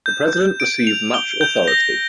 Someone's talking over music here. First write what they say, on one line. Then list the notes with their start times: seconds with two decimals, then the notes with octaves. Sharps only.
The president received much authority.
0.06 G6
0.33 G6
0.60 D7
0.87 F7
1.14 G7
1.41 G6
1.68 A#6